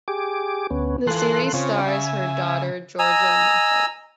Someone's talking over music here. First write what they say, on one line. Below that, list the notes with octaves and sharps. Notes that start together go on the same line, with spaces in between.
The series stars her daughter Georgia Moffett.
G4 G#4 D6
D2 B3 C#4
E3 F4 A4 C6 F#6
C#3 C4 F4 C#5
E5 G#5
D#5 G#5 A#5 E6